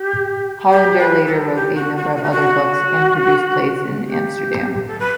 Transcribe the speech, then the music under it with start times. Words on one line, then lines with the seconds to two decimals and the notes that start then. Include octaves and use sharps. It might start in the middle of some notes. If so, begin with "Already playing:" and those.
Hollander later wrote a number of other books and produced plays in Amsterdam.
Already playing: G4
0.69 G4
0.97 B4
1.26 A4
1.54 G4
1.74 F#4
1.95 F#4
2.16 F#4
2.23 G4
2.30 F#4
4.04 G4
4.87 A4
4.99 B4